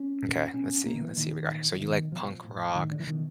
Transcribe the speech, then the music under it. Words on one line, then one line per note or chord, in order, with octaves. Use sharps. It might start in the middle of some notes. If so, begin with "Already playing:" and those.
Okay. Let's see, let's see what we got here. So you like punk rock,
Already playing: C#4
A#2
B2 C#4
B2 A#3
D#3
E3
A#2 D#3
A#2
E3
B2 D#3
B2 F3
A2
A2 D#3
D3
E3
B2 D#3